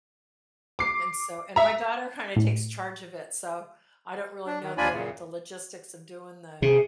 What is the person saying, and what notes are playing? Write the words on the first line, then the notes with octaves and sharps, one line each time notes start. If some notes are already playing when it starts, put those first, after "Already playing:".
And so and my daughter kinda takes charge of it, so I don't really know the the logistics of doing the
D6 C7
E5 A#5
A2
D4
D#3
D#2 D4 F4 D5 G#5 B5
F#2 A#2 C#3
C3 G#4